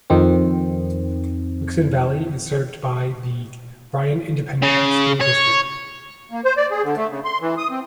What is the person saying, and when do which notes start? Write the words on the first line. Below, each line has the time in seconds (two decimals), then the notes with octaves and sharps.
Wixon Valley is served by the Bryan Independent School District.
0.10 F2 D#3 C4
4.62 C#3
5.21 C#5
6.31 A#3
6.45 C5
6.57 D5
6.71 G#4
6.83 D3
6.96 A3
7.09 C#3
7.25 C6
7.41 E3
7.58 D#6
7.70 C4